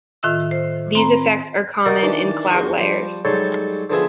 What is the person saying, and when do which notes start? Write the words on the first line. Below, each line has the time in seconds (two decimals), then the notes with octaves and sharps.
These effects are common in cloud layers.
0.23 A2 D#3 F4 E5 E6
0.51 C5
0.95 C4 A#5 B5
1.86 F#4 A#4 D5 D#5 F#5 G5
2.02 D#3 E3 D4
2.51 E2 F#4 C6 C#6
2.79 F3 G3
3.25 G#2 F#3 G3 A4 C#5 C6
3.90 D3 F3 B3 G#4 E5